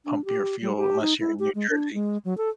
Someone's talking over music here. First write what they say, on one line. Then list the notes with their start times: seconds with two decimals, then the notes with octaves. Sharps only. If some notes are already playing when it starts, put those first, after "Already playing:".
pump your fuel, unless you're in New Jersey.
0.06 D4
0.25 G4
0.62 G3
0.77 G4
1.01 D#4
1.20 E4
1.39 G4
1.55 G#3
1.70 D4
1.93 G#3
2.25 F#3
2.38 A4